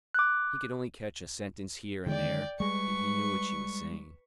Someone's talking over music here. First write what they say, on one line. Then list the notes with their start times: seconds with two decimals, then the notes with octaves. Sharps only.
He could only catch a sentence here and there, yet he knew what she was saying....
0.14 D6 F#6
2.06 D3 D#3 G#3 D5 G5
2.60 G3 G#3 B4 C#6